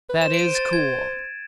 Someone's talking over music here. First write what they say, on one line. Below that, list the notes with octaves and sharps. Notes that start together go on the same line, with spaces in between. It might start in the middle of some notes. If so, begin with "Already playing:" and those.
That is cool.
B4
C5 E7
D7
D#7
A6
G#6